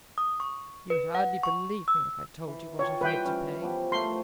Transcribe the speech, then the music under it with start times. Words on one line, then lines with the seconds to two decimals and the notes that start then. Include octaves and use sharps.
You would hardly believe me if I told you what I've had to pay.
0.18 D#6
0.40 C#6
0.90 B4
1.15 F#5
1.43 C#6
1.88 E6
2.47 E3
2.79 F4 C#5 G5 A5
3.01 E3 G3 B4 G5
3.25 G3 C#4
3.62 F3 B3 G4
3.92 A3 A#4 C5 C6